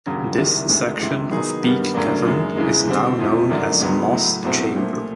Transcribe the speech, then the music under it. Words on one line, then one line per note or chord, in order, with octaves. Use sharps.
This section of Peak Cavern is now known as Moss Chamber.
D#2 C#3 F#3
C2 C3 D#3
D2 C3 D#3 G#3
C#2 C3 E3
D#3 F#3 B3 D#4 G#4
G2 D#3 G3 B3
D2 C#3 F#3 A#3 D4
F#2 D#3 G#3
E2 C#3 E3 G#3
D3 G3 C4
F2 C3 F3
F#2 D#3 F#3 A3 D4
C#2 C#3 F#3 B3
A2 F#3 A3
C2 B2 F#3 A3 C4
A#2 F3 A3